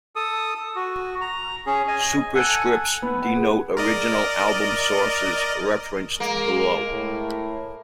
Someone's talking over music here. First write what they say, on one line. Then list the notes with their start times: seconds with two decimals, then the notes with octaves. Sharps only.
Superscripts denote original album sources, referenced below.
0.16 A4 D#6
0.76 F#4
1.21 A#5
1.66 C#4 G#4
1.88 D#5 G#5
2.35 A4 F#5 G#5
3.02 B3
3.22 F#5
3.36 G#4
3.77 A#4 D5 D#5
6.20 G#3 A#3
6.90 A2